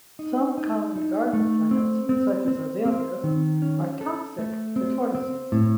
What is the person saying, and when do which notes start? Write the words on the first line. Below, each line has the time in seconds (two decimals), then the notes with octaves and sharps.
Some common garden plants, such as azaleas, are toxic to tortoises.
0.19 D#4
0.58 D#4
0.96 D#4
1.33 A3
1.71 C4
2.09 C4
2.48 C4
2.86 C4
3.24 D#3
3.62 C#4
4.01 A4
4.39 A3
4.76 C4
5.15 C4
5.52 A2